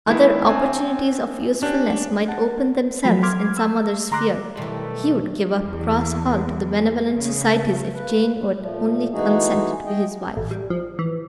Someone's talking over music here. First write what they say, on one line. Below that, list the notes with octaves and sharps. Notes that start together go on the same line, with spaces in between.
Other opportunities of usefulness might open themselves in some other sphere; he would give up Cross Hall to the benevolent societies if Jane would only consent to be his wife.
D#3 G#3 B3 E4
C4 D4 G#5
C#4 D4 G4 D5
F#5 A5
F3 F#3 A3 B5 B6
C6 D6 F6 G#6
E6
D3 A#5 C6 D6 F#6 A#6
B1 D#3 E3 G3 A3
E2
C#3
A#3 B4
A#2 F3 A3
E3 G#3 A3 D#4 F#4 G#4
G#4 D#5 G5
A1
G3
F3
E3